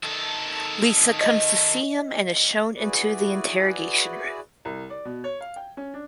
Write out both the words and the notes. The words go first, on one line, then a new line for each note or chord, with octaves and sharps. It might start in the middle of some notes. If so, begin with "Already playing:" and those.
Lisa comes to see him and is shown into the interrogation room.
D#3 A4
D#5
E4 F#4 G#4 B4 D5
C2
D5
B2
C#5
F5
G5
C#4
D4